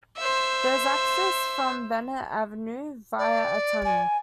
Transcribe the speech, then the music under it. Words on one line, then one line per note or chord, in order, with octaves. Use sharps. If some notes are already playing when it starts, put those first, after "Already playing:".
There is access from Bennett Avenue via a tunnel.
C5 E5
D5
G#5